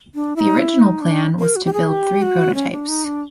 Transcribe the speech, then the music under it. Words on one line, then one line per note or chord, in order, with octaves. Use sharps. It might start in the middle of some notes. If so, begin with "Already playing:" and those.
The original plan was to build three prototypes.
D4
E4
D#4
E4
D#4
D4
A#4
F#4
G4
G#4
G4
F#4
C#4
D4
D#4
D4